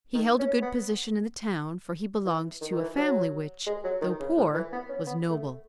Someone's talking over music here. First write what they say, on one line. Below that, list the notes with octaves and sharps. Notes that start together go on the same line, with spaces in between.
He held a good position in the town, for he belonged to a family which, though poor, was noble.
D#3
C#4
B3
E3
D#3
D#3
E3
F#3
G#3
F#3
D#3
C#3
A2
E3
B3
C#4
B3
A3